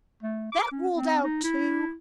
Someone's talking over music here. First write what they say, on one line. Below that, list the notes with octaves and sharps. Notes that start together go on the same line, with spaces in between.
That ruled out too?
A3
D6
C#4
C4
D#4
E4